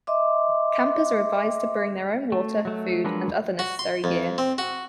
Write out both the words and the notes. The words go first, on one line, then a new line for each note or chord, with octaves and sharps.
Campers are advised to bring their own water, food, and other necessary gear.
D#5 E5 C6 D6
A3
F#3 A3
F3 F#3 G#3 D4 A#4 B4
F#4
C6
F2
C4
F#4